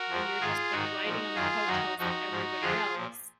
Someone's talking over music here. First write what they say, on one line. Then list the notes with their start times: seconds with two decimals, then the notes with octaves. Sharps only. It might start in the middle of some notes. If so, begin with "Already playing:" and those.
and you're just like riding on the coattails of everybody else
Already playing: F#4 A#4
0.09 F2 F3
0.41 G#2 D#3 F4 G#4
0.72 G#2 D#3 D#4 F#4
1.04 A#2 F3
1.35 F#2 D#3 F4 G#4
1.67 F#2 D#3 D#4 F#4
1.98 F2 F3 D#4 F#4
2.30 G#2 F3
2.61 F2 D3 F3 F4 G#4
2.93 A#2 F3